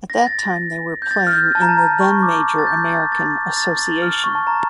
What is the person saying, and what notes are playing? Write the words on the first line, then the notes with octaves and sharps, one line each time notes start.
At that time they were playing in the then-major American Association.
A#6
A6
G6
A6
F6
G6
A5
A#5
A5
A#5
C#6
D6
A6
G6
A6
A6
A6
A6
F6
C#6
A5
A#5